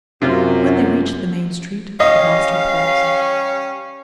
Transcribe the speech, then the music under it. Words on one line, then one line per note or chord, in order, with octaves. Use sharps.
When they reached the main street the master paused.
F#2 C3 F4
G3 C#4 D#5 F5